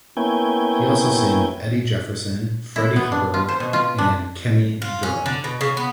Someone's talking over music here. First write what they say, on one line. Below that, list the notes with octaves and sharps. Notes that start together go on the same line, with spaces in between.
He also sang with Eddie Jefferson, Freddie Hubbard, and Kenny Dorham.
A#3 B3 C#4 E4 G5 G#5
E4
B3
D4
F4
C5
B2
F4
D4
F4
C#4
D3
B2
C#3
B3